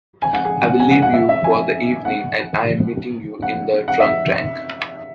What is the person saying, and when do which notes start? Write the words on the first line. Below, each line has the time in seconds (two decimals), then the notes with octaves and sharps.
I’ll leave you for the evening and I’m meeting you in the drunk tank!
0.22 G#5
0.33 F#5
0.45 G#4
0.68 F#5
0.80 G#5
0.91 F#5
1.02 F#5
1.13 E5
1.29 E5
1.44 G#5
2.05 F#5
3.42 F#5
3.88 F#5
4.00 E5